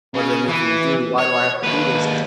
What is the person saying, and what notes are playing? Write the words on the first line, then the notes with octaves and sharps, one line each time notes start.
what are they making me do? Why do I have to do this?"
C#3
E3
C#5
D#2 B4